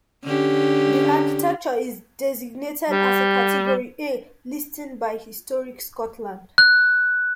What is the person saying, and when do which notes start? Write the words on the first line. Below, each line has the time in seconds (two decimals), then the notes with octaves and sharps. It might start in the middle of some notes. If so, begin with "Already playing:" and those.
The architecture is designated as a Category 'A' listing by Historic Scotland.
0.25 D3 C#4 G4
2.89 G3
6.58 F#6